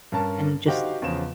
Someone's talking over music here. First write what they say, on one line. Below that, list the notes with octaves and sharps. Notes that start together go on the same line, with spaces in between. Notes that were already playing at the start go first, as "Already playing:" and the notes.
and just
G2 C#4 A#4 A5
D#4 F#4 G4 C5 F5
E2 C#3 F3 E7